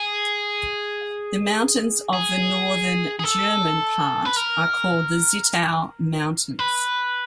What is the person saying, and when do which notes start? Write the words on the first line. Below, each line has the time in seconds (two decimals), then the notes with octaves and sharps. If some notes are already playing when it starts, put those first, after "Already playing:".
The mountains of the northern, German, part are called the Zittau Mountains.
Already playing: G#4
2.13 G#4
3.19 G#4
3.24 A4
4.25 B4
4.36 A#4
6.59 B4